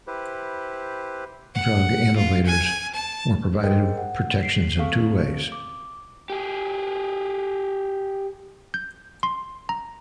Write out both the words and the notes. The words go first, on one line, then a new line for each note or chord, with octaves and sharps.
Drug innovators were provided protections in two ways.
E4 G4 B4 C5
F#5
F4
G#5
A5
G#4 A#4 C5 D#5 G5
F#5
B6 C7 D7
C4 A4 F5 C#6
D6
G4 G#4
G6
C6
A#5